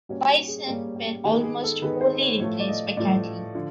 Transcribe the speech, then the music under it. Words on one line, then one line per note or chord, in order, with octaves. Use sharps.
Bison were almost wholly replaced by cattle.
A#2 G3 A#3 C#4 F#4
G4
G#4
A#2 G3 A#3 C#4 G4
G4
D#3 G#3 B3 G4
G#4
A4
D#3 G#3 B3 B4
C5
C#5
A2 F3 A3 C#5
D5
D#5
A2 F3 A3 D5
D3 F3